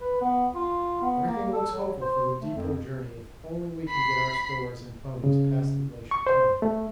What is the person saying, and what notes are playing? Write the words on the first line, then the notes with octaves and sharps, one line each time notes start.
Everything looks hopeful for the depot journey if only we can get our stores and ponies past the Glacier Tongue.
B4
B3
F4
B3
A#3
A4
F#3
C5
A3
F2
B5 C7
C#3
C#6
C5
A3